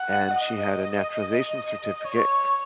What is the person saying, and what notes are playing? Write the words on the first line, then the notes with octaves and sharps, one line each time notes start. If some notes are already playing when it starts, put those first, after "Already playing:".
and she had a naturalization certificate,
Already playing: F#5
D#5
C#5